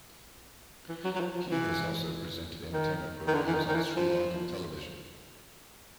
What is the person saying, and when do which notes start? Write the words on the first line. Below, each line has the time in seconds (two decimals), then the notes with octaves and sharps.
He has also presented entertainment programmes on Sri Lankan television.
0.89 E3
1.04 F#3
1.16 F#3
1.20 F3
1.35 F3
1.51 E3
2.73 D#3
3.27 D#3
3.34 D3
3.47 E3
3.55 D#3
3.68 D#3
3.75 E3
3.97 F3